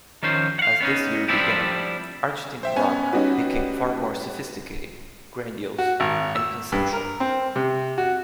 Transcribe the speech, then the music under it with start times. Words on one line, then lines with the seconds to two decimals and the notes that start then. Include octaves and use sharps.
As this year began, Argentine rock became far more sophisticated, grandiose, and conceptual.
0.23 D#3 F3 C#4 C5
0.59 F5 F#5
0.80 B3 C#4 D#4
1.28 F3 G3 C4 D4 E4 G4
2.63 C5 E5 G5
2.76 B3 C#4 G#5
3.13 G3 C#4 D#4 F#4 B4
5.78 F#4
6.00 G#1
6.35 E6
6.72 G2
6.93 A#4
7.20 C4
7.56 C3
7.98 F#4